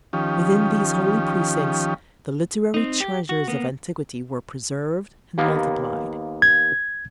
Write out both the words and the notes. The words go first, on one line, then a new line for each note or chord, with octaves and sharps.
Within these holy precincts the literary treasures of antiquity were preserved and multiplied.
D#3 F3 C#4 G4
C4 D#4
G4
F#4
A#3 B3
D#2 A#3 B3
G#6